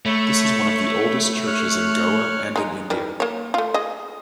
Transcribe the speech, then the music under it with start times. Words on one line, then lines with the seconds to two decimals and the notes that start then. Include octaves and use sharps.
This is one of the oldest churches in Goa and in India.
0.06 A3 C#5 B5
1.47 C#5 F6 F#6
2.56 G#3 D#4
2.90 D#3 E3 G3
3.20 A#3 C#5
3.54 A3 F4
3.74 G#4 D#5